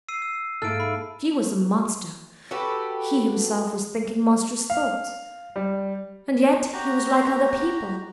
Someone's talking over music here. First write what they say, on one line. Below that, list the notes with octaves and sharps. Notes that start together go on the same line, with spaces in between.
She was a monster--he himself was thinking monstrous thoughts . . . and yet he was like other people.
E6 C7 D#7
E6
G#2 A#3 E4 A4 F6 D7
B5
F#4 G4 A4 B4
F5
G3
F#4 G4 A#5